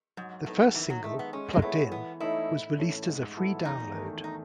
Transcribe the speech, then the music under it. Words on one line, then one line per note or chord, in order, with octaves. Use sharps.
The first single, "Plugged In", was released as a free download.
G#2 F#3
A2 B3 D#4 A4
D#3 E3
F#3
G#3 A3 D#4 A4
B3
G#3 C#4
G#3
A3 B3 E4 G#4 C#5
E3 B3
A3 D#4 E4 A4 C#5
A2
E3 A3 C#4
G#2
F#3 B3 E4 A4
E2 D#4
D#3 A3
D#4